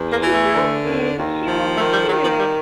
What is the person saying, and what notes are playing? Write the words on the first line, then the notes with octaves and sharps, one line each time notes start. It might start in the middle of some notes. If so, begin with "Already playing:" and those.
She tells him she will consider it.
Already playing: E2
A#3
E3
A3
D3
D#2
D#2
F3
D#3 A3
G3
D#3 F#3
F3
G3